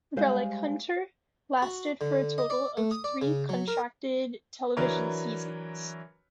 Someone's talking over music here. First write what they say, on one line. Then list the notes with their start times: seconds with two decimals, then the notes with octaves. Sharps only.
"Relic Hunter" lasted for a total of three contracted television seasons.
0.16 G3 G#3 C5 F5
1.62 F#4
2.01 D3
2.38 D#5
2.50 D5
2.77 A3
2.91 D#6
3.04 D5
3.22 C#3
3.49 F#3
3.68 A#4
4.77 E3 F#3 D4 A#4 B4 C#5